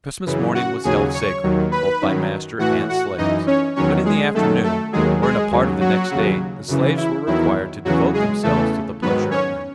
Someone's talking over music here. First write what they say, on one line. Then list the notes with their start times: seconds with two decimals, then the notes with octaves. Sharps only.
Christmas morning was held sacred both by master and slaves, but in the afternoon, or in a part of the next day the slaves were required to devote themselves to the pleasure of their masters.
0.26 F#2 C#3 E3
0.55 F#4 F#5
0.84 D#2 C#3 F#3 G#4 G#5
1.14 C#5 C#6
1.43 D#2 D#3 F#3
1.72 B4 B5
2.02 F#2 D#3 F#3
2.59 A2 E3 F#4 F#5
2.89 F#4 F#5
3.17 F#2 E3 D#4 D#5
3.47 C#4 C#5
3.76 E2 D#3 F#3 C#4 C#5
4.06 G#3 G#4
4.34 F#2 D#3 F#3 A3 A4
4.64 A3 A4
4.93 D#2 D#3 F#3 G#3 G#4
5.22 G#3 G#4
5.51 D#2 C#3 F#3
5.81 F#3 F#4
6.10 D#2 C#3 F#3
6.68 F#2 C#3 E3
6.97 E4
7.27 E2 D#3 F#3 E4
7.85 E2 C#3 E3 F#3 F#4
8.14 G#3 G#4
8.43 E2 C#3 E3 A3 A4
9.02 G#2 D#3 F#3 B3 B4
9.31 C#4 C#5